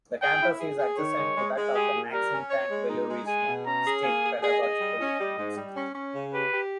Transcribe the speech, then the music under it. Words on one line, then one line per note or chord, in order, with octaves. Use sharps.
The campus is adjacent to that of the Maxim Tank Belarusian State Pedagogical University.
G#4 G5
E4
G#4
G#4
D#3 C#5
G#3
G#3
G#3
G4 G#4
A#2
G3 A#4
C#4
C#5
G#3
D#4
G#3
G#4 G#5
B2
C#4 A#5
G#4
A#3 G#5
G#4
G#4 D#5
G#4
G3
C#4
G3
G#2
G3
C#4
C#4
C#3
G4 B4
G4